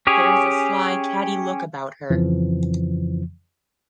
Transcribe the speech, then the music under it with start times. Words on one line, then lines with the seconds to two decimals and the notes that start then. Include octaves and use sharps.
There is a sly, catty look about her.
0.07 C#4 G4 G#4 C#5
2.10 F2 C#3 E3 F3